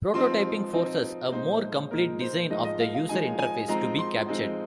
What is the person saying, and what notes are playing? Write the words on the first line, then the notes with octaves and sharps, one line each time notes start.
Prototyping forces a more complete design of the user interface to be captured.
F3 C4 D#4 C6
F3 C4 D#4
A#2 G#3 D#4 C5
A#2 G#3 D#4 A#4
C5
F3 G#3 D#4 D#5
D#5
F5
F5
F3 G#3 D#4 G#5
G#5
F3 G#3 C4 D#4 A#5
C6
F3 G#3 C4 D#4